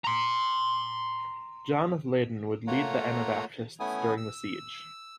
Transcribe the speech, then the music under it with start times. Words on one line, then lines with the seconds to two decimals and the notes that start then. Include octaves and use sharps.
John of Leiden would lead the Anabaptists during the siege.
0.05 A#5 C6
2.67 A3 A#3 F4 C#5 F#5 A#5
3.80 A3 B3 C#4 E4 G#5 D#6
4.17 E6